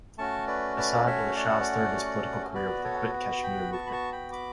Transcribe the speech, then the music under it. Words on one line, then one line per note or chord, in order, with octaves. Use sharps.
Assad Ullah Shah started his political carrer with the Quit Kashmir Movement.
A3 C#4 F#4 A5 C#6
B4 D5
B4 D5
C#5 E5
D5 F#5
B3 F#4 B4 D5
A4 C#5
G5 B5
A5 C#6
B5
A5 C#6
G5 B5
B5 D6